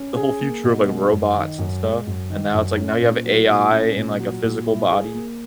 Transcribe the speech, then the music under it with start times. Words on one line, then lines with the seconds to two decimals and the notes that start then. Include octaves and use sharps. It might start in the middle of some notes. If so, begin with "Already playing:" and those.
the whole future of, like, robots and stuff and now it's, like, now you have AI in, like, a physical body.
Already playing: C#4
0.17 G#4
0.40 A#3
0.64 B2
0.88 G#3
1.12 F#2
1.35 D#3
1.58 F#2
1.83 G#3
2.07 F#2
2.30 D#3
2.53 F#2
2.77 C#4
3.01 A#2
3.25 F#3
3.49 A#2
3.72 C#4
3.96 A#2
4.19 F#3
4.43 A#2
4.67 E4
4.91 G#4
5.14 A#3